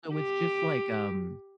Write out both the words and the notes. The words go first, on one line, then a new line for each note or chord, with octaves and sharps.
So it's just, like, um
G4